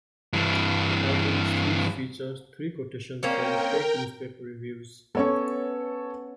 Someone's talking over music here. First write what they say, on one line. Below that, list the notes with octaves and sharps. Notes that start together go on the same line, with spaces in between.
The album sleeve features three quotations from fake newspaper reviews.
G2 E3
A#3 C4 C#4 A#4 G5
B3 C#4 A4 C#5 C#6